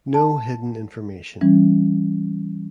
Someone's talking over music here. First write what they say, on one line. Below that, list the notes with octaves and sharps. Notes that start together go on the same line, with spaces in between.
No hidden information.
A5
E3 G3 C#4